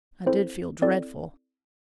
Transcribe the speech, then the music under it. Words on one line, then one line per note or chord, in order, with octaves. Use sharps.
I did feel dreadful.
C4 E4 A4 C5
C4 E4 A4 D5